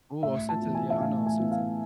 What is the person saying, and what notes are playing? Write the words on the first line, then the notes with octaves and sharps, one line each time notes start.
Ooh, ohsxnta, yeah, I know ohsxnta.
A2 E5
A5
E3 B3
G#5
E5
A2 F5
G#5
E3 B3
F5